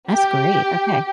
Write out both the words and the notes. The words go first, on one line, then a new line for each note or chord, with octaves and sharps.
That's great, okay.
G4